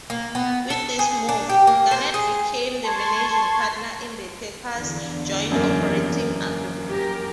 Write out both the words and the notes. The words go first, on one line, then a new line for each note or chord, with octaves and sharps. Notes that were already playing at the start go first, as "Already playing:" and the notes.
With this move, Gannett became the managing partner in the papers' joint operating agreement.
A#3
B3
A4
G#4
D4
G4
A#3
C5
G#4
A5 C6 C#6 G#6
E2 D3
F#2 A#3
G4 A#4